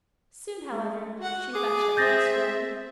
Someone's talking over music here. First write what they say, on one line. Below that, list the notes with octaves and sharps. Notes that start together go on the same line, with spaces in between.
Soon, however, she rushed up to Miss Green.
G#3
F#4 F#5
G#4 D6
C4 E5 G6 A6 A#6